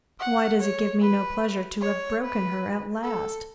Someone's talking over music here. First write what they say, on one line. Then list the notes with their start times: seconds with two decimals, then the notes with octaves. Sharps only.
Why does it give me no pleasure to have broken her at last?
0.19 F#5
0.60 C#5
1.01 B4
1.81 C#5
2.22 B4
3.03 A4